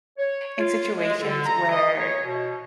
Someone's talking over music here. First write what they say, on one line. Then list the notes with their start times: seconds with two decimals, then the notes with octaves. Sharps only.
in situations where
0.17 C#5
0.58 F4
0.97 G#3
1.20 D3
1.46 A#5
1.69 D#5
1.94 C#5
2.24 B2